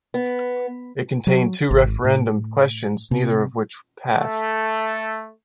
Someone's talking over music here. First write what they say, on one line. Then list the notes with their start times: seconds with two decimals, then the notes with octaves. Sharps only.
It contained two referendum questions, neither of which passed.
0.14 B3
1.27 F#3
1.71 G#1
2.04 A2
3.11 C3
4.17 A3